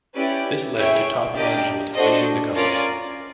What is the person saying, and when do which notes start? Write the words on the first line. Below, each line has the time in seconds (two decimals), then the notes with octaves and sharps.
This led to top management leaving the company.
0.15 C#4 E4 G4 B4 D5
0.75 E4 G#4 C#5 E5 G5
1.35 D4 G4 A#4 D#5 G5
1.94 D4 F#4 A4 C5 D#5
2.54 C#4 F4 A#4 D5